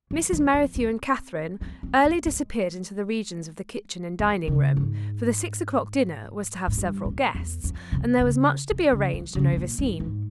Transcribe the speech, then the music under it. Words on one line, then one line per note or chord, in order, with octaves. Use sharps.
Mrs. Merrithew and Katherine early disappeared into the regions of the kitchen and dining-room, for the six o'clock dinner was to have several guests, and there was much to be arranged and overseen.
E3
E3
C4
C4
C4
C4
A#3
G#3
E3
C#3
G#2
G#2
G2
A#2
E2
F2
C3
C#3
C3
C#3
E3
C#3
C3
A#2
G#2
G#2